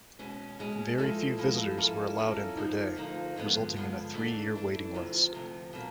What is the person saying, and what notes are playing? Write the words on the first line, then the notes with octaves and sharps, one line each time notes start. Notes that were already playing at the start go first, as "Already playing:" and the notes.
Very few visitors were allowed in per day, resulting in a three-year waiting list.
B2 G#3 C#4
B2 G#3 C#4
F3 G#3 B3 E4 A4
F3 G#3 B3 E4 A4
F3 A#3 C#4 E4 A4
F3 A#3 C#4 E4 A4
D2 D3 F3 A#3 D#4
D2 D3 F3 A#3 D#4
G2 D3 F3 G#3 B3
G2 D3 F3 G#3 B3
E3 A3 D4
E3 A3 D4
D2 C3 F3
D2 C3 F3
B2 F#3 A#3